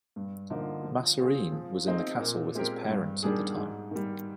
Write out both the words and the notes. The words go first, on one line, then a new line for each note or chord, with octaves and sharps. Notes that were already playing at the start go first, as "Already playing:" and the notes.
Massereene was in the castle with his parents at the time.
G2
D3 F3 A#3 D#4
F3
C4 F4 G#4
F3
C4 D#4 G#4
A#2
G#3 C4 G4 A#4
G2
D#3 G3 D4 G#4
G#2
D#3 G3